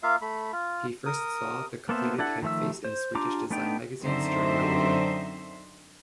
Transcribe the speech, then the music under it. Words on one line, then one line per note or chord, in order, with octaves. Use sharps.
He first saw the completed typeface in Swedish design magazines during the war.
A#3 F4 E5 F5
A3 B5
F4
A#4 D#6
A#3 B3 A4 C5 E5
D4 E4 A4 F#5
D#3 F3 A3 E5 E6
C5
D4 F4 G4 A#5 D6
A3 B3 D4 D#4 G5
F#2 D3 C4 D#4 C5 E5